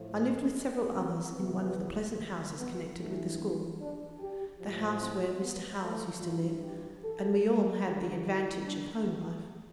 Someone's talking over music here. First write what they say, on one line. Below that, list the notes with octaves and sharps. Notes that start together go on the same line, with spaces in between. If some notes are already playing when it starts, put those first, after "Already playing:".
I lived with several others in one of the pleasant houses connected with the school, the house where Mr. Howells used to live, and we all had the advantage of home life.
Already playing: A2 F3
C4
E2 C3 E3 B3
B3
G2 E3 A3
B3
D4
G4
A2 F3
C4
B3
A3
G2 E3 F4
G4
A4
G2 D3 F3 G4
E4
D4
B3